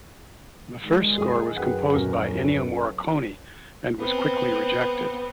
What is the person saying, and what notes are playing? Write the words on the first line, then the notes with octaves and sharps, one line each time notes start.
The first score was composed by Ennio Morricone and was quickly rejected.
D#3 G3 G#3
G#4 G#5
F#2 B4 F#5 G5
D#1 C#4 F#4 A#4
A4 B4 C#5
B3 C4